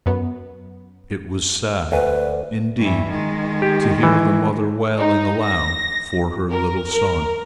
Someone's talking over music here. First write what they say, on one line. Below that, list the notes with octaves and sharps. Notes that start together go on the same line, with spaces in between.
It was sad, indeed, to hear the mother wailing aloud for her little son.
F#2 B3
D2 B4
G2 E3
D#3 G#3
G4
E3
D#4
A#6
A#4
A#4